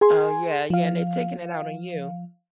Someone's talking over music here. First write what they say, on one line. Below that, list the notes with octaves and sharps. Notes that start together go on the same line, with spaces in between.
Oh yeah, yeah, and they taking it out on you.
G#4 G#5 C6
F3 F5